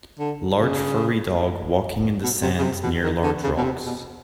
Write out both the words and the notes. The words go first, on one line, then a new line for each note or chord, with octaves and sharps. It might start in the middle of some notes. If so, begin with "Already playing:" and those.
Large furry dog walking in the sand near large rocks.
D3
C#3
B2
C3
C#3
C3
B2
D#3
D3
C#3
B2
C3
B2